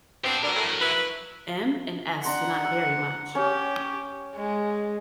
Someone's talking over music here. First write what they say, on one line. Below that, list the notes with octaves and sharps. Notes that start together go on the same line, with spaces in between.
M and S do not vary much.
B3 C4 D4 G4
B2 D3 F#3 D4 A#4
A2
E4 B4
D4 F#5 A#5 C6
E6
C#4 G4 C#5
G#3